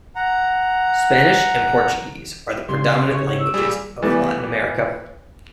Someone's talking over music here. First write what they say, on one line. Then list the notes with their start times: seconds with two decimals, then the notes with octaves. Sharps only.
Spanish and Portuguese are the predominant languages of Latin America.
0.16 F#5 A#5
2.69 C#3 G3 C6
3.11 C#5
3.40 E6
3.54 A#2 G3 G#4
4.02 E3 G3 A3 B3